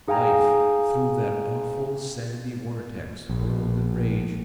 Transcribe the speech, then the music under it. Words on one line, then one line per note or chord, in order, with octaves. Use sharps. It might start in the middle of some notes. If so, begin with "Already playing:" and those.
Life, through that awful sandy vortex, whirled and raged.
D#4 G#4 F5 G5 G#5 A#5
A#1